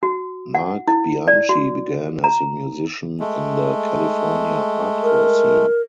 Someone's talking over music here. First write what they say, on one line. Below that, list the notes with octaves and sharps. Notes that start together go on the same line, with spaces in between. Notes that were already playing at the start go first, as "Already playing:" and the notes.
Marc Bianchi began as a musician in the California hardcore scene.
F#4
F#5
E4
D5
F#4
A#5
G#3 A3
A#4